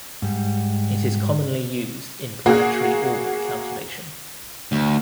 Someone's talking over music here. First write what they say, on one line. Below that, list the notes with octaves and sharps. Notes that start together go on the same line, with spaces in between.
It is commonly used in planetary orbit calculation.
G#2 G3
A#3 F#4 G#4
D2